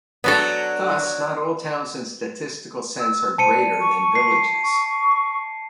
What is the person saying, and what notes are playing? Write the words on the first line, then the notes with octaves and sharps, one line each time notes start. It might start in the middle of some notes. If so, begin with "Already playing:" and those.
Thus, not all towns in statistical sense are greater than villages.
F#3 B3 D4 F#4 A4
E6
C5 A5 C#7 D#7
D5
C#6
C7
C#6